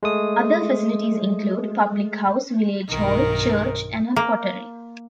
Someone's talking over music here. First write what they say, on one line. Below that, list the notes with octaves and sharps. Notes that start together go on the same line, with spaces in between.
Other facilities include: Public House, Village hall, Church and a Pottery.
G#3 A3 D#6
B1 G2 D#3 A#4
A#3